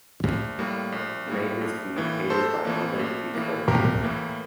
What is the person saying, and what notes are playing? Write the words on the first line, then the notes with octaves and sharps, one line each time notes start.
May this deed -hated by mothers- be cursed!
A#1
A2 G3 A#3
A#1
A2 G3 A#3
A#1
A2 E3 A#3
A#1 A4 C5
A2 E3 A#3
A#1
A2 E3 A#3
A#1 G4 A#4
A2 E3 A#3